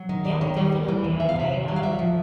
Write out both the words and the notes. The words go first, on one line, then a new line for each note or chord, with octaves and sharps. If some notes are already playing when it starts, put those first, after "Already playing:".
Yeah. Definitely. I I, um,
Already playing: F#3
D#3
D#2 D5
D#3 C#5
G3
G3
E3
D#2
E2 E5
F5
C3 E5
D#3
G3
F5
D2 E5
F3